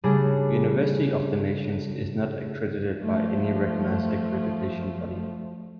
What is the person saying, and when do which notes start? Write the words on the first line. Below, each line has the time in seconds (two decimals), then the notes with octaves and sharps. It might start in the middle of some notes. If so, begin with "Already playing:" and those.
University of the Nations is not accredited by any recognized accreditation body.
0.04 C#3 G3 A3 D4 G#4 A4
3.02 F3 A3